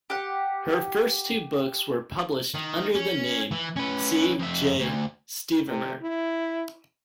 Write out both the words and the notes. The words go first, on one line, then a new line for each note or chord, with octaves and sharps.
Her first two books were published under the name C. J. Stevermer.
G4 F#5
D#3
C#4
E3
C#4 B4
F2 E5
D2
C3
E4